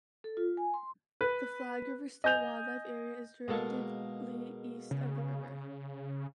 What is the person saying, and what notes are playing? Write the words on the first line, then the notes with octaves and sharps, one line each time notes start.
The Flag River State Wildlife Area is directly east of the river.
A4
F4
G#5
C6
B4
D#5 G#5 G6 F7
B2 G#3 A#3 A4 C#6
C#3